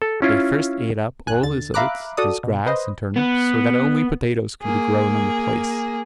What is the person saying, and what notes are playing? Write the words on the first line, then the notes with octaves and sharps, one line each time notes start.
They first ate up all his oats, his grass, and turnips, so that only potatoes could be grown on the place.
A4
C#4 E4 F4
G1 G#5 F#6
D#2 D3 A6
E5 F5 A#5 B5 D6 F#6
F#4 A4 D5 D#6
B2
B4 C5 D#5
B3
A#3 G#4